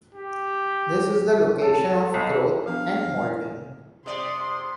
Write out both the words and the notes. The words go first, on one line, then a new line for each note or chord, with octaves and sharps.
This is the location of growth and molting.
G4
A4
B1
F3 B3 D4 F5
C3 D5 C6 D#6